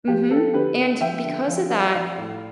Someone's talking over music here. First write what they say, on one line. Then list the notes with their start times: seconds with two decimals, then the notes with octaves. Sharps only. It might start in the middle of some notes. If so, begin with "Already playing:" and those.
mhm. And because of that
0.08 F3 G4
0.31 F3 A4
0.54 D3 G4 B4
0.77 C4
1.01 F3 E5 G5
1.24 D3
1.48 F3
1.71 C4
1.94 F3 D5 F5
2.18 A2